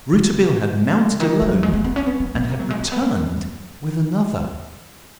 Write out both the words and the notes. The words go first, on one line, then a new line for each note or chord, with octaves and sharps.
Rouletabille had mounted alone, and had returned with another.
C#3
D#3
F#3
G#3
G#3
B3
C#4
B3
B3
B3
A#3
F#3
G#3
A#3
B3
A#3